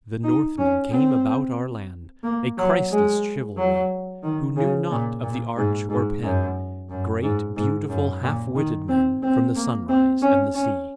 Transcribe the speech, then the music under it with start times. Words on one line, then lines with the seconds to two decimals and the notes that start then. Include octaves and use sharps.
The Northmen came about our land A Christless chivalry: Who knew not of the arch or pen, Great, beautiful half-witted men From the sunrise and the sea.
0.24 D#4
0.58 C#4
0.91 C4
2.23 A#3
2.58 F#3
2.91 G#3
3.57 F#3
4.23 D#3
4.56 C#3
4.90 A#2
5.23 A#2
5.57 G#2
5.90 G#2
6.23 F#2
6.90 F#2
7.22 G#2
7.56 G#2
7.89 F#2
8.23 A#2
8.55 D#3
8.88 C4
9.22 C4
9.55 A#3
9.88 C4
10.22 C#4
10.55 C#4